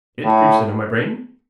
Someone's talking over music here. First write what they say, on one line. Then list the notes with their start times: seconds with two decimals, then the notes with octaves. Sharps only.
"It creeps into my brain."
0.24 A2